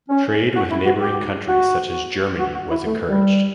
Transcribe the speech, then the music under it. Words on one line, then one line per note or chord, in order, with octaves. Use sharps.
Trade with neighbouring countries such as Germany was encouraged.
C#4
F#4
E4
F#4
G4
F#4
F#4
F#4
E4
A3
G3